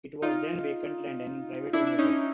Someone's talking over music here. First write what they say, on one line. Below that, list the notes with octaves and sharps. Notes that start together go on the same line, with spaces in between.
It was then vacant and in private ownership.
D#4 F4
D4 E4
E4
C#4 D#4